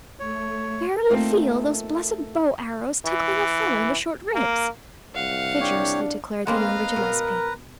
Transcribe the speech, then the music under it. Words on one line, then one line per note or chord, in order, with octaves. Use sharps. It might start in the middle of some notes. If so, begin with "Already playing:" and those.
"Fairly feel those blessed bow-arrows tickling a fellow in the short ribs," vigorously declared the younger Gillespie.
A3 C#5
A3 A#3 C4 D#4 F4
E3
A#3
C2 F5 F#5
D4 G4 C#5
G#3 A#3 C4 B4 D#5 F5 A#5
B2 A#4